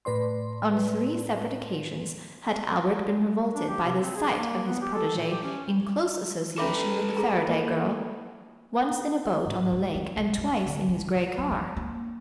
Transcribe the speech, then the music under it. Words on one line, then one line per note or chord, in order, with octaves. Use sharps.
On three separate occasions had Albert been revolted by the sight of his protege in close association with the Faraday girl--once in a boat on the lake and twice in his grey car.
A2 B4 D5 C6
D4
G4
C3
C4
G#4
A#3
B3
G4
A4
A#2
G4
C#4
C#4 A4 B4 E5 D6
G#4 A#5
A#3 D#5
G#2
G#3
C4
B1
G2
G3
D3
G3
G#2
F#3
E3
A#3